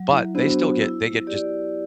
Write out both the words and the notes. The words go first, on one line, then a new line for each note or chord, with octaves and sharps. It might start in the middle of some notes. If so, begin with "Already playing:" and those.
but, they still get they get, just
Already playing: F#3
E4
B3 D4 F#4 C5
E4
G4 D5